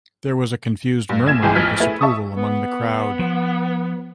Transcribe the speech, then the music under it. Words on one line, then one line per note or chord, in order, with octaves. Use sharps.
There was a confused murmur of disapproval among the crowd.
G2
A#1 G#6 E7
G1 C2 E3 G#3 G5 G#5
A1 F2 F3 G#5 F6 B6
A3 E4 G#4 B4
E5 A5 C#6 D#6
B3
F3